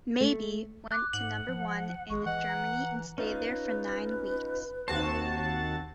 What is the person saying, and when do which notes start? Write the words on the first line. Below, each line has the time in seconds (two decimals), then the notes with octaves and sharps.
"Maybe" went to number one in Germany and stayed there for nine weeks.
0.21 A3
0.92 D6 F#6
1.13 G#2 F#5 F#7
1.48 F3
2.10 G#1 G#3 C#6
2.26 E3 D#5 F#5
2.48 A#5
3.18 C#4 D#4 F4 B4
4.88 D#2 C4 F#4 C5 A5